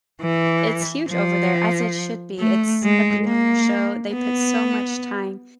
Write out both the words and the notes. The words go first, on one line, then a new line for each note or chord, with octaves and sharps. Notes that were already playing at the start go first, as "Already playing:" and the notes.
it's huge over there as it should be, it's a beautiful show, they put so much time
E3
F3
A3
G#3
A#3
B3